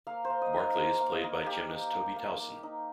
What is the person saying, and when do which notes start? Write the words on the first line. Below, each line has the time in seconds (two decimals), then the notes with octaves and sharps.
Barkley is played by gymnast Toby Towson.
0.07 A#3 F5
0.25 C5
0.30 A#3
0.42 D#5
0.53 D#4
0.59 F5
0.77 A#3 F5
1.00 A#3
1.12 D#5
1.24 A#3
1.46 A#3 G4
1.70 D#4
1.93 A#3
2.16 A#3
2.39 A#3
2.63 D#4